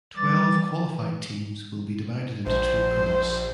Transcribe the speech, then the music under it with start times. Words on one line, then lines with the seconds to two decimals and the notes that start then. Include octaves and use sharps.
Twelve qualified teams will be divided into two pools.
0.16 E3 G3 D6 A6
0.80 E3
2.46 A#1 C5